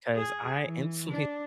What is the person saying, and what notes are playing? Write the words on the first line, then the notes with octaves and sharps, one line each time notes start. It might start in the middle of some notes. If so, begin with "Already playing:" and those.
'cause I instantly
G#4
E3
D4